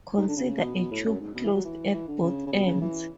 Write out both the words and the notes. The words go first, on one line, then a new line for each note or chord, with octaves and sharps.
Consider a tube closed at both ends.
G#2
D3
C#3
C#3
B2
B2
A2
F#2
G#2
B2
E3
F#3
E3
E3
D3
C#3
C#3
B2
C#3
E3